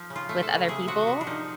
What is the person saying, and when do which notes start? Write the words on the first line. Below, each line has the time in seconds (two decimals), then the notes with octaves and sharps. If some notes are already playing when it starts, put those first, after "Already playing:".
with other people,
Already playing: F3
0.10 C#3
0.16 F4
0.29 A3
0.42 A4
0.48 C#3
0.68 C3 G#4
0.88 C3 F#4
1.07 C3
1.21 D4
1.27 F3 D#4